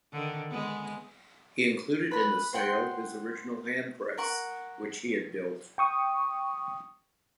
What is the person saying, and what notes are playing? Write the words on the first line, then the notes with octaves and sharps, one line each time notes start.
He included in the sale his original hand press which he had built.
D3 D#3
G#3 B3
B4 B5
C5 F#5 G5 C6
A#4 F#5 C#6
G5 C#6 D#6